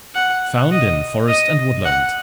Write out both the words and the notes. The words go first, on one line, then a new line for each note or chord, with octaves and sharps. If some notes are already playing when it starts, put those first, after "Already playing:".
Found in forest and woodland.
F#5
D#5
D#5
F#5